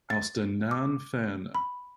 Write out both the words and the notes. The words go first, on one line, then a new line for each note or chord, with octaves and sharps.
"Aus der nahen Ferne".
A6
D6
B5